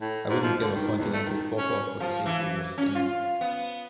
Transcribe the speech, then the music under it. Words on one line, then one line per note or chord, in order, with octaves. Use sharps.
I wouldn't give a continental copper for the safety of your skin.
A2
G#2
F3
D3
D#3
E2
A3
D#3
C#4
F3
E3
C#4
F4
B3